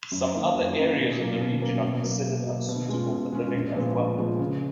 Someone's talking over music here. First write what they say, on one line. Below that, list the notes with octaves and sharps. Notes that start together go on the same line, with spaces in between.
Some other areas in the region are considered unsuitable for living as well.
F#2
D#3 A#3 C#4
F#2
D#3 A#3 C#4
B2
F#3 A#3 C#4
B2
F#3 A#3 C#4
B2
F#3 A#3
B2
F#3 A#3
B2
G#3 C#4 F4
B2
G#3 C#4 F4
A#1
A#2 F3 G#3 B3
A#1
A#2 F3 G#3 B3
C#3